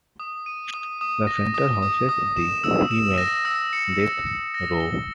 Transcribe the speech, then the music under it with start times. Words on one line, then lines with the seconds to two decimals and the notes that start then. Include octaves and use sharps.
The center houses the female death row.
0.20 D#6
0.46 D#7
0.74 D#6
1.01 D#6
1.27 A#6
1.54 D#6
1.82 D#6
2.09 D#6
2.37 E7
2.64 E6
2.91 E7
3.18 A#6
3.45 E6
3.73 C#7
3.99 A#6
4.26 C#7
4.54 A#6
4.80 G7